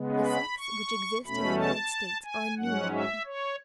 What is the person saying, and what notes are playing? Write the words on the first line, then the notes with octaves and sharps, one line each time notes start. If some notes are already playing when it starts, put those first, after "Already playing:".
The sects which exist in the United States are innumerable.
Already playing: C#3 G#3 B3
B5
C#6
E2 B2 A3 C#4 B5
A5
G#5
G#2 F#3 C#4 F#5
E5
C#5